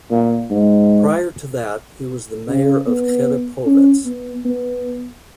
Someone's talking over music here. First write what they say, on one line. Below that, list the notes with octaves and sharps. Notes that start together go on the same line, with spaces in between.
Prior to that, he was the mayor of Cherepovets.
A#2
G#2
C#3
B3
C#4
B3
B3